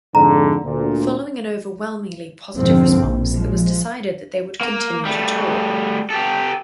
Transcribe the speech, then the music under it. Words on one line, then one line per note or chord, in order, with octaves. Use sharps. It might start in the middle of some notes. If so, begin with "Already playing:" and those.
Following an overwhelmingly positive response, it was decided that they would continue to tour.
F2 G#2 D3 A#5
D2 A#2
F2 G#2 B2 D3 F3 C4
A#1
F3 G#3
A#3
G3 A3
G4 A4